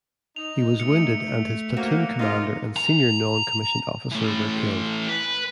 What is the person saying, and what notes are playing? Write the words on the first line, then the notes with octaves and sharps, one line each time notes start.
He was wounded and his platoon commander and senior non-commissioned officer were killed.
D#4 F7
A3 C#7
A#3 F#4 C5
C3 D#4 F4 A#4
A#5
E3 A3
B4